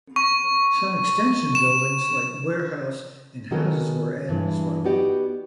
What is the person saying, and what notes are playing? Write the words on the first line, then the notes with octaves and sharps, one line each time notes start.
Some extension buildings like warehouse and houses were added as well.
C#6
E7
D#3 G#3 B3 F#4 A4 A#4
G2 E3 G#3
B3 D#4 F#4 G4 D5